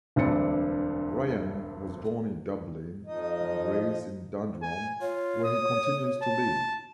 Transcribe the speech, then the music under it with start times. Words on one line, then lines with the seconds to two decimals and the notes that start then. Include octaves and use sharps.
Ryan was born in Dublin and raised in Dundrum where he continues to live.
0.16 E1 D2 G2 C4 D4 C#7
3.06 F2 F3 D#4 D#5
4.62 G#5
5.01 F4 C#5
5.44 D#6
6.23 A5